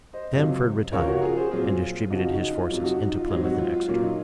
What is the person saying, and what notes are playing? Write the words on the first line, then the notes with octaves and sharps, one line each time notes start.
Stamford retired, and distributed his forces into Plymouth and Exeter.
C5 D#5
C#2 C3 F#3
C#2 C#3 F3 A#4 C#5
F#4 A#4
F4 G#4
G#4 C5
A#2 F#3 C4 F4 G#4
F2 C#3 F3 D#4 F#4
D#4 F#4
D#4
F4
F2 C3 F#3 F4
D#4 F#4
D#4
F4
G#2 F#3 C4
D#4 F#4
F4
F4
A#2 F#3 A#3 C#4 F4
D#4